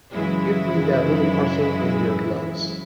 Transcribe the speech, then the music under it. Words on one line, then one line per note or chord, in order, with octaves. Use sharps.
Give me that little parcel and your gloves.
F#2 C#3 E3 F#3 G#3 E4